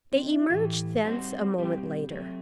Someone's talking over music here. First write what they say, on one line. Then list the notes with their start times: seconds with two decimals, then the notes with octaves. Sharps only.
They emerged thence a moment later.
0.12 C4
0.21 D#4
0.31 E4
0.40 F#4
0.50 A2 E3 A3 G4
1.04 G3 C4 D#4 F#4 C5
1.58 B2 G3 C4 G4
2.12 C3 F#3 A3